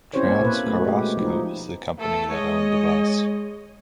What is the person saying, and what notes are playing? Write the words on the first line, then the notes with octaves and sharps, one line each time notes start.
Trans Carrasco was the company that owned the bus.
C4 C#4 E4 G4 C5 C#5
A#3
B2 B4
A3
G#3 G4
F3 D#4
A3 A4
G#3 C#5 D#5